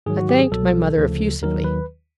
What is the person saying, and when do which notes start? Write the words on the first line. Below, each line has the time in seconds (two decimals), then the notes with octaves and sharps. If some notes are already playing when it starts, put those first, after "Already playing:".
I thanked my mother effusively.
0.06 G#2 D#3 F#3 G#4
0.17 F#4
0.29 G4
0.40 G#4
0.51 C2 B2 F#3 A4
0.97 D2 C#3 F3
1.42 D#2 D#3 F#3 A#4
1.64 B4